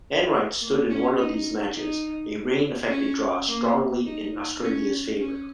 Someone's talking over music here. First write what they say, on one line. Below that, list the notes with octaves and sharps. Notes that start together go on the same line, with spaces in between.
Enright stood in one of these matches, a rain-affected draw strongly in Australia's favour.
A#3
C#4
D#4
D#4
C#4
A#3
D#4
C#4
C#4